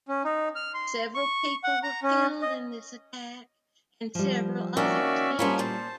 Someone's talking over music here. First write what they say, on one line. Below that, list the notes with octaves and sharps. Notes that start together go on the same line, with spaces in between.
Several people were killed in this attack and several others injured.
C#4
D#4
F6
C6
C#6
F#5
A#5
C#4
D#5
F3 G3
D#3 A#3 C#4 F#4 D5 E5
F3 G3 A#3 D#4 F4 C#5 B5
A#2 C5 A5